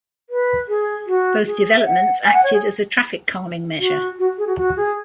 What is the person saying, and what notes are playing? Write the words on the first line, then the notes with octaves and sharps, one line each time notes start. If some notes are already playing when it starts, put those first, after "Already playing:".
Both developments acted as a traffic calming measure.
B4
G#4
F#4
G#4
E5
F#5
G#5
F#5
C#5
G#4
F#4
F#4
G#4
F#4
F#4
G#4